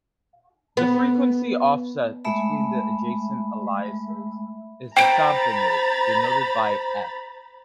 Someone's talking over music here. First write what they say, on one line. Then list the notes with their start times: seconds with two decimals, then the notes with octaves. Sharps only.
The frequency offset between adjacent aliases is the sampling-rate, denoted by "f".
0.77 B3
2.25 G#3 A3 E5 B5
4.97 C5 G5 A#5 B5 A6 D7